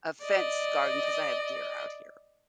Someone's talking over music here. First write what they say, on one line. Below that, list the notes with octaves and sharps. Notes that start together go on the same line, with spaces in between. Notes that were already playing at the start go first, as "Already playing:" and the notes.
a fence garden, 'cause I have deer out here.
D5 D#5